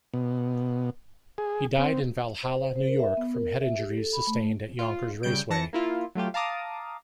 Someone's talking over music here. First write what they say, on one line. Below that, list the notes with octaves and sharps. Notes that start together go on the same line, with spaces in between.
He died in Valhalla, New York from head injuries sustained at Yonkers Raceway.
B2
G#4
C4
C5
C5
A#4
E5
B3
A#4
E5
G4
A4
B5
A3
F4
C#3 G3 G6 D7
E3 A5 A#6 C#7
A#3 E4 F4
F#3 A3 F4 G4
F5 A5 A#5 D6 D#6